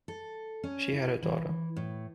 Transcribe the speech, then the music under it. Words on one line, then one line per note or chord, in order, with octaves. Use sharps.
She had a daughter.
A4
C#4
E4
E3
A2